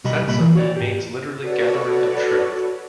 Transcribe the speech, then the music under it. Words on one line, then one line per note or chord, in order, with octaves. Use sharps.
Satsang means literally gathering of Truth.
B2 G3 D#5 B5
C2 A#2 B5
E3
F#4 C#5 D5
G#2 G4
F#4 A4 B4 C#5 D5